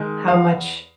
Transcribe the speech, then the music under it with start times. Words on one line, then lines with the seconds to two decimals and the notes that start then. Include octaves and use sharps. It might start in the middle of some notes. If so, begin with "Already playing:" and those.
How much
Already playing: D#3 G#3
0.28 E2 F5